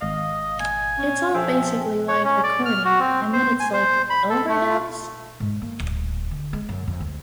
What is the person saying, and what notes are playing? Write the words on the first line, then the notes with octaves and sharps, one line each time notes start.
It's all basically live recording, and then it's like, 'Overdubs?
G#1 D#5 F5
G#5
C#4
F3 G#4 A4 E5 G5
C#5
C#4
D5
F6
F#4
C4
C5
G#5
C5
B5
A4
A3
G#2
A#3
D1
D3
G#3
F#2
F2
D2